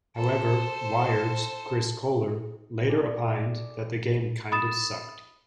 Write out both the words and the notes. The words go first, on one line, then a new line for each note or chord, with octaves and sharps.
However, "Wired"s Chris Kohler later opined that the game "kind of sucked".
A4 C5
G#4 A4 D5
B5 D#6 A6 E7